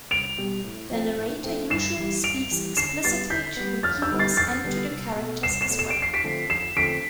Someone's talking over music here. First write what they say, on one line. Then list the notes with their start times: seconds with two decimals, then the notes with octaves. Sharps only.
The narrator usually speaks explicitly to the viewers and to the characters as well.
0.11 C2 D7 F7
0.38 B2 G3
0.64 A2
0.91 F3 A3 C4
1.18 A2
1.44 F3 A3 C4
1.70 G2 C7 E7
1.97 E3 G3
2.24 G2 D7 F7
2.51 E3 G3
2.77 D3 C7 E7
3.04 G3 B3 A6 C7
3.30 D3 G6 B6
3.57 G3 B3
3.83 F2 F6 A6
4.02 E6 G6
4.10 D3 G3 B3
4.19 A6 C7
4.37 F2 A6 C7
4.64 D3 G3 B3
4.91 C2
5.17 B2 A3
5.43 C2 C7 E7
5.61 C7 E7
5.70 B2 A3
5.79 E7
5.90 D7
5.96 F2
6.02 C7
6.14 B6 D7
6.24 D3 F3 A3 C4
6.50 F2 C7 E7
6.77 D3 F3 A3 C4 B6 D7